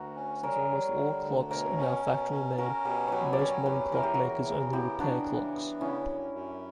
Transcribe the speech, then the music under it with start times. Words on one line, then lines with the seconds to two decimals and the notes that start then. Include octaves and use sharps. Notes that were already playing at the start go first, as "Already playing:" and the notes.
Since almost all clocks are now factory-made, most modern clockmakers only repair clocks.
Already playing: D2 F#4 A#4
0.16 C#4
0.43 G3 A#4 C#5
0.71 G3
0.97 D3
1.24 D2
1.51 B2 A#4 C#5
1.77 C#4
2.05 B2
2.31 C#4
2.58 C#4 F#4 A#4
2.85 B2 G4 B4
3.08 F#3 G4 B4 C#5
3.33 D5
3.39 C#4 A#4 C#5
3.66 E2 G4 B4
3.92 E3 A#4
4.03 G4
4.14 E2 F#4 A#4
4.46 C#3
4.73 B3 E4 G4
5.00 C#3 D4 F#4
5.26 E3
5.53 B3
5.81 C#3 C#4 E4
6.07 F#2
6.34 F#2